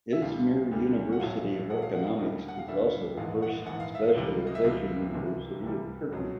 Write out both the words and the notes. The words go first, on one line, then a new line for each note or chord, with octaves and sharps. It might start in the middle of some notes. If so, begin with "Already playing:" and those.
Izmir University of Economics is also the first specialization university of Turkey.
E5
D2 D3 G3 F5
D2 D3 G3
F#5
A#1 A2 F#3 F5
A#1 A2 F#3 F#5
F5
F#5
F5
D#2 D3 G3 D#5
F#5
F5
D#2 D3 G3 E5
A#1 G#2 E3 F5
F#5
A#1 G#2 E3 F#5
F5
E5
F5
C#2 C3 E3 G3
D#5
E5
C#2 C3 E3 G3 F5
C2 C3 E3 G3
C2 C3 E3 G3
C#2 B2 F#3